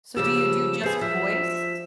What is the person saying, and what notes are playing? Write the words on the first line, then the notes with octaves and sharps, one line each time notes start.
So, do you do just voice?
C#3 F3 G4 E6
B3 G#4 C5
F3 E5